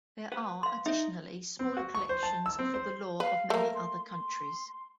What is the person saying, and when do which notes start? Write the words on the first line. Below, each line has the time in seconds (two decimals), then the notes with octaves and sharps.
There are, additionally, smaller collections for the law of many other countries.
0.32 B4 F#5
0.63 F5 C6
0.86 D#4 E5
1.59 C4
1.77 F#4
1.95 C#6
2.09 C5
2.23 A5
2.46 E6
2.59 C4
2.74 C5
3.20 B4 F5
3.50 A3 A#3 A#4
3.74 C6
4.11 C6